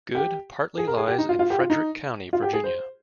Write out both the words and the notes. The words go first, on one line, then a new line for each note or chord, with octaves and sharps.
Good partly lies in Frederick County, Virginia.
G4
G#4
A#4
G#4
G4
D#4
F4
F4
G4
F4
D#4
F4
G4
G#4
C5